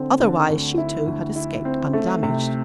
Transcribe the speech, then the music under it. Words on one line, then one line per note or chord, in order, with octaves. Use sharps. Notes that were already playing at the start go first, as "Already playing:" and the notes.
Otherwise she, too, had escaped undamaged.
Already playing: D3 C4
D3
D2
E4
D2
E4
C4
A3
C3